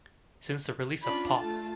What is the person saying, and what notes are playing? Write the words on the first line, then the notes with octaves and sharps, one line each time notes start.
Since the release of Pop!
C#4 D4 F4 B5
A3 F4 A5